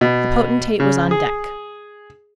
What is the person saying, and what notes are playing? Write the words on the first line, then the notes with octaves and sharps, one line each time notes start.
The potentate was on deck.
B2
C#3
G#4